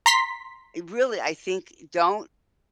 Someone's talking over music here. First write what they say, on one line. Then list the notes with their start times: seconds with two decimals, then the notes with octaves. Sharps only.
eh really, I think, don't
0.06 A#5 C6 B6